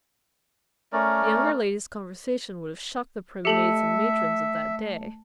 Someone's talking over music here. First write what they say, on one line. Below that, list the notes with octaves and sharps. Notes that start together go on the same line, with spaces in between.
The younger lady's conversation would have shocked the prim maids and matrons of that day.
A3 C#4 A#4 D5
A3 G4 A4 E5 A5 C#7 F#7